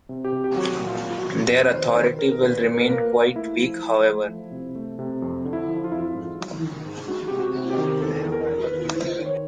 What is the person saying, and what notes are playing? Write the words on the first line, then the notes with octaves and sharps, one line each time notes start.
Their authority will remain quite weak however.
C3
G4
C3
G4
F#3 F#4
A#2
F4
F#3
F4
F#4
A#2
F2 B4
D#3 C5
D#3 B4
D#3 A#4
A#4
A#2 B4
A#2
A#4
B4
A#3 A#4
A#3
A3 E4
F3
F3
A3
F3
C3
A3
C3
F2
D3
E4
F3
F4
F2 E4
F4
G#2
F#3
D#3
G#2
G#3 F#4
C3 G4
F#4
C3
G4
D#3
E2 A4
E2
A#4
E2
B4
D#3
D#3 C5
D#3
C#5